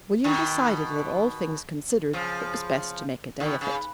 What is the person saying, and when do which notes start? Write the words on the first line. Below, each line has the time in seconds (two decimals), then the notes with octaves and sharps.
William decided that all things considered it was best to make a day of it.
0.24 B2 D#3
2.13 C#3 F3
3.40 B2 D#3
3.61 C#3